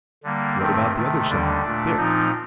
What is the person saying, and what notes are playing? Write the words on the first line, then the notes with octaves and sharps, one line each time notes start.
"What about the other son--Dick?"
D3 G3 A#3
G2 D#3 A3 C4
C3 D#3 A3
D#2 D3 G3 D4
A#2 A3 D4
A#2 F3 C4 D#4